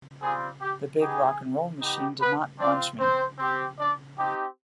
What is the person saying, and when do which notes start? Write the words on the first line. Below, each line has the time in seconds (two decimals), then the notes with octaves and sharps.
The big rock 'n' roll machine did not munch me.
0.21 G3 C4 F4 G#4
0.61 G4
1.01 B3 D#4 G4 G#4
1.80 B3 D#4 G4
2.20 B3 B4
2.59 C4 D4 F4 D5
2.99 C4 C5
3.39 C4 G4
3.78 D4 D5
4.18 C4 D#4 G4